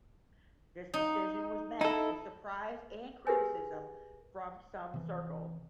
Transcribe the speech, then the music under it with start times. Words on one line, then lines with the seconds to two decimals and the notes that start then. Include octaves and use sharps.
This decision was met with surprise and criticism from some circles.
0.94 D#4
1.81 D#4 E4 A4
3.27 G4 G#4 A#4 B4 G#5
4.94 C3 E3